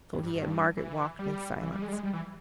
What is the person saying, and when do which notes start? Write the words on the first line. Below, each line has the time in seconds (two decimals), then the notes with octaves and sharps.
So he and Margaret walked in silence.
0.13 G2
0.23 G2
0.35 G2
0.77 E3
1.19 G3
1.61 E3
1.72 G3
1.82 G#3
1.88 G3
1.93 G#3
2.03 G3
2.13 E3